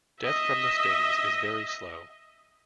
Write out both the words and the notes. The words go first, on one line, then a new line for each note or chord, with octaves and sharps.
Death from the stings is very slow.
D#5 E5